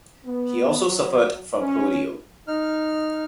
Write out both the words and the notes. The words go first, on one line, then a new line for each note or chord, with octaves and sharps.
He also suffered from polio.
B3
F#3
C#4
D#4 F6